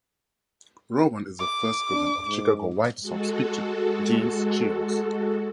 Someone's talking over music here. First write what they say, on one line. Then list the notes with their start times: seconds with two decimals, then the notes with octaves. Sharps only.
Rowand is the first cousin of Chicago White Sox pitcher James Shields.
1.40 D6
1.91 D4
2.26 G#2
3.01 G#3 F#4 A4